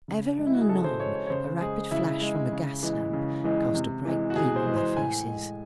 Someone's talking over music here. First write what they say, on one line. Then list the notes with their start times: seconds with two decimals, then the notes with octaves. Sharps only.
Ever and anon a rapid flash from a gas lamp, cast a bright gleam on their faces.
0.08 C#3
0.39 G#3
0.47 E4
0.55 F#4
0.62 G#4
0.69 C#3 A4
0.84 C5
1.00 G#3 C#5
1.15 C#5
1.26 C#5
1.30 C#3 C5
1.60 G#3 G#4
1.91 C#3 E4
2.22 G#3
2.52 C#3
2.83 E3 G#3
3.13 C#3
3.44 E3 G#3
3.74 C3
4.05 E3 G#3
4.30 F#4
4.36 C3 G#4
4.56 C5
4.66 E3 G#3
4.76 C5
4.97 A2 G#5
5.27 G#3